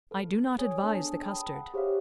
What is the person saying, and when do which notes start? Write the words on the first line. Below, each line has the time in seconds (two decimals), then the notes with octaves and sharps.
I do not advise the custard.
0.11 A4 B4
0.58 G#4 C#5 G#5 D#6
0.83 B3 D4 G#4 A4 B4 A5
1.23 G5 A5 B5 D#6
1.55 F#5
1.74 G4 G#4 C5 C#5 E5 F5